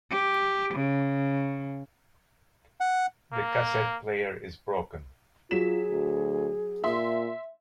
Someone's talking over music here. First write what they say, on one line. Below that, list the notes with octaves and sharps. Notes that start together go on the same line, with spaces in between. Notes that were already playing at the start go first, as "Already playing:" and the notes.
The cassette player is broken.
G4
C#3
F#5
A#3
F#3 F4 G#4 B6 E7
D2
A#2 E5 C6